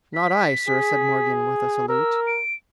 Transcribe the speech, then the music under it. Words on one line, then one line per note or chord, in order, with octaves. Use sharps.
"Not I, sir," said Morgan with a salute.
B6
G#4
A#4 E6
D7